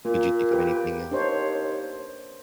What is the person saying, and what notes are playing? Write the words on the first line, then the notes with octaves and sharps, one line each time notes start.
could you think of anything else?
A#2 A#3
G4 B4
D#2 D4 C5 C#5